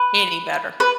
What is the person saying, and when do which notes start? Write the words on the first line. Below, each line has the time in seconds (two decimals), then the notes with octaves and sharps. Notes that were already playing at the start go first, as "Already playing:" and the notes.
Any better.
Already playing: B4
0.80 B4